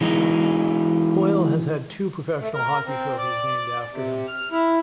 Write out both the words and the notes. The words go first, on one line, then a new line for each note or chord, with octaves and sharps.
Poile has had two professional hockey trophies named after him.
E3 G#3 D#4
A3
A#4
C4
D5
C3
F6
E4